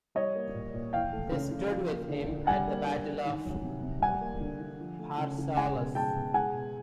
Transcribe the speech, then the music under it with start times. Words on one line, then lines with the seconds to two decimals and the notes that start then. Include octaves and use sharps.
They stood with him at the Battle of Pharsalus.
0.15 G3 C#5 D#5
0.35 A#3
0.54 A#2
0.74 A#2
0.92 E3 F5 G5
1.13 A3
1.32 C#3
1.51 C#3
1.71 F3
1.89 A#3
2.09 D3
2.28 D3
2.47 G3 F#5 G#5
2.67 A#3
2.86 D3
3.05 D3
3.25 D#3
3.45 F#3
3.64 C3
3.82 C3
4.02 G3 F#5 G#5
4.21 A#3
4.40 D3
4.60 D3
4.80 F3
4.99 A3
5.18 C#3
5.38 C#3
5.57 G#3 F#5 G#5
5.76 B2
5.95 G#3 G5 A5
6.15 B2
6.34 G#3 F#5 G#5
6.54 B2